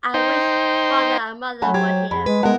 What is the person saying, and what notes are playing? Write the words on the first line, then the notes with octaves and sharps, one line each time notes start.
I wish father and mother were here.
D#4 C5 G5
F#3 A3 C#4 F#5 G#5 B5
G4 C5 C#5 G#6
F2 G#4 B5
G#3 B4
C3 G#3 B3 E4 A#4 F#5